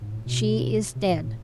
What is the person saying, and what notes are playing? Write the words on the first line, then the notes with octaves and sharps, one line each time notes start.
She is dead.
G#2
A2
B2
C3
A2
A2